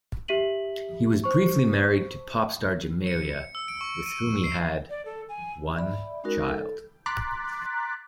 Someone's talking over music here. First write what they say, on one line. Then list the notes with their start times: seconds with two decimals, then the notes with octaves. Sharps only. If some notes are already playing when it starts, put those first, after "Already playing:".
He was briefly married to pop star Jamelia, with whom he had one child.
0.28 G4 E5 B6 D#7 F#7
1.24 C5 C#6
3.07 C#7
3.55 E6
3.68 D7
3.81 C#6
4.06 D#7
4.44 C7
4.90 D5
5.05 A4
5.29 G#5
5.76 D5 E5 B5
6.24 G#3 C#4 D#4 F#4 A#4
6.49 A4
7.06 A#5 C6 D6 F#6 A6 B6